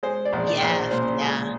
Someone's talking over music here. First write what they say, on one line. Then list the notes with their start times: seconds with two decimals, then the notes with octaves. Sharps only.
Yes, yeah.
0.03 G#3 C5
0.25 D5
0.33 A#1
0.48 D5
0.62 A#1
0.69 C5
0.91 A#2 C5
1.21 G#3